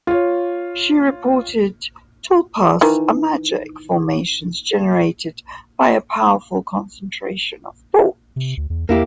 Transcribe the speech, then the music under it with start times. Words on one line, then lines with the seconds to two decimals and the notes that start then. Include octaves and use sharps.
She reported tulpas are magic formations generated by a powerful concentration of thought.
0.07 F4 C#5
2.81 D#3 E3
8.36 C3
8.57 D2
8.70 E2
8.89 E2 A#3 E4 G4